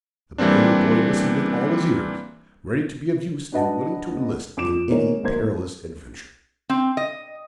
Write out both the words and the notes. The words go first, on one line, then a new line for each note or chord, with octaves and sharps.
The brave boy listened with all his ears, ready to be of use, and willing to enlist in any perilous adventure.
E3 G3 A#3 C4 D4
D4 F#4 B4 D#5 F#5 A5
F2 D6 D7 E7
D#3 G#3 A#3 C5 C#5
G#1 F#3 A#3 C5 G#6
C4
D#5